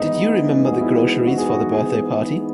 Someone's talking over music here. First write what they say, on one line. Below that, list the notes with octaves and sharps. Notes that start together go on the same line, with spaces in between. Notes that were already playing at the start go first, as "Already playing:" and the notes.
Did you remember the groceries for the birthday party?
Already playing: G#2 E3 B3 D#4
G#4
F#4
E4
F#4
G#4
F#4
G#4